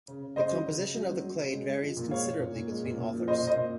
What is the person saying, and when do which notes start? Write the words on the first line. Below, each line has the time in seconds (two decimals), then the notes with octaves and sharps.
The composition of the clade varies considerably between authors.
0.08 C#3
0.22 C#3
0.36 C#3 C5 D#5
0.51 F#3
0.66 C#3
0.80 C#3
0.95 F#3
1.09 F#3
1.24 F#3
1.38 C#3
1.53 G#3
1.68 G#3
1.82 F3
1.97 A#2
2.11 G#3 C#5 F5
2.26 A#2
2.40 A#2
2.55 A#2
2.70 G#3
2.84 A#2
2.98 A#2
3.14 F3
3.28 A#2 C5 D#5
3.43 A#2 C5 D#5
3.57 A#2